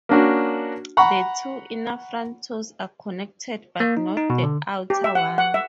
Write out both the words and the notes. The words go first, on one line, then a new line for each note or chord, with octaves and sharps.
The two inner front toes are connected, but not the outer one.
A#3 C#4 D4 F#4
F#5 A#5 B5 C#6
A#3
D#4
D#4
B2
D3
G4
E5
F#5
F#5
E5